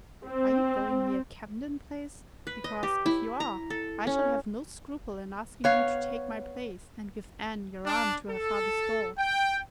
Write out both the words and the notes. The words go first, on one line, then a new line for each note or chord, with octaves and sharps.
Are you going near Camden Place? Because, if you are, I shall have no scruple in asking you to take my place, and give Anne your arm to her father's door.
C4
B4
D#5
G4
E4
A#5
A4
C#4
B3 C#5 F5
D4
A4
G5